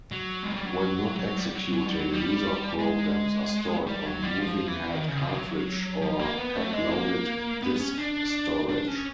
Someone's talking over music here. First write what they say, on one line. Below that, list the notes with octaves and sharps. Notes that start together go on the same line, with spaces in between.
When not executing, user programs are stored on moving-head cartridge- or pack-loaded disk storage.
F#3
G#3
G3
F#3
F#3
G3
F#3
F#3
G3
F#3
G3
G#3
G3
F#3
G3
F3
E3
D#3
C#3
C3
F#3
F3
A#3
B3
A3
G#3
A#3
B3
C#4
D4
D4
C#4